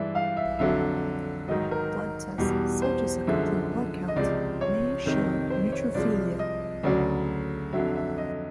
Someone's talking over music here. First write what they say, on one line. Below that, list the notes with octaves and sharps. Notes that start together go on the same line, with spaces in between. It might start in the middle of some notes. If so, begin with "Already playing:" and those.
Blood tests such as a complete blood count may show neutrophilia.
Already playing: G2 E3 G#3 D5 E5
F5
E5
F2 D3 F#3 E5
G#2 D#3 F#3 D#5
A#4
E2 B2 G3
C5
F#2 D3 F3 G#3 E5
D#5
C#2 C3 F3 G#3 D5
C#5
F2 C3 D#3
C5
C#5
C2 C3 F3 G#3 D5
D#5
D2 C#3 F#3 D5
F2 D3 F#3 E5
E5
D#5